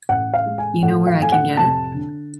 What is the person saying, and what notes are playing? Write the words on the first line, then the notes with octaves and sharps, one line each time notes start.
You know where I can get it?
A1 F#5
F5
G#3
G#5
A2 F#5
F5
A2 G#5
F#5
F1 A5
D3